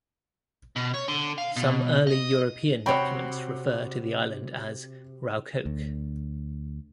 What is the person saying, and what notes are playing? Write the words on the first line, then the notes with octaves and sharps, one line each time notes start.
Some early European documents refer to the island as "Raukoke".
B2
C#5
D3
F5
B2
D#5
C3 F#4 C#5 G5 B5
D2